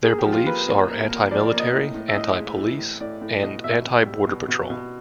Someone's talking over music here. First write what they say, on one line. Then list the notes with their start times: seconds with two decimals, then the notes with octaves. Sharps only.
Their beliefs are anti-military, anti-police, and anti-border patrol.
0.04 A#3 G#4
0.18 G4
0.26 F3
0.33 F4
0.46 A#3 B4
0.67 A#3
0.89 A#3
1.10 A#3
1.31 F3 D5
1.45 D5
1.53 A#3
1.60 D#5
1.73 A2
1.95 A2
2.08 E5
2.16 A2 D#5
2.37 G#3
2.58 E3
2.79 A2
3.00 A2 D5
3.21 A2
3.42 B2 D#5
3.64 B2 E5
3.85 B2
4.06 G3
4.27 B2
4.48 B2
4.70 B2